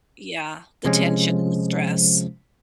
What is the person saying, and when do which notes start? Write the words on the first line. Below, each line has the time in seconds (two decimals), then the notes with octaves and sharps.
Yeah, the tension and the stress.
0.85 C3 F3 G#3 C#4